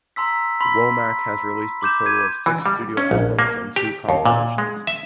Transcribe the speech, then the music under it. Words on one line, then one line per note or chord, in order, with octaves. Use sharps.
Womack has released a total of six studio albums and two compilations.
A#5 C6 E6 B6
B5 C6 B6
C6 D6 G6 E7
G#6 D#7
E3
G3
C#4
A#1
A#3
G4
D#2
A#2
G#3
E5